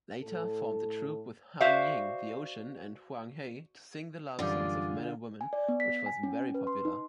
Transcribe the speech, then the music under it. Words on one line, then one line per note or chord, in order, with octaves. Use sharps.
Later, formed a troupe with Han Ying, the ocean and Huang He to sing the love songs of men and women, which was very popular.
A2 A4
F#4 C5 D5 E5 F5
F#2 D3 E3 G3 F4 G#4 D5
G#5
D5
B3
B6
G#5
C#4
B4
C6
D#4